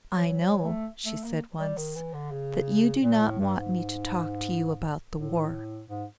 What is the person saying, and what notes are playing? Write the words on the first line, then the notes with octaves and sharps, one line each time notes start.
"I know," she said once, "that you do not want me to talk to you about the War."
F#3
F#3
A3
A3
A#3
G3
D#3
E3
D3
C#3
A#2
A2
G2
G#2
A2
G#2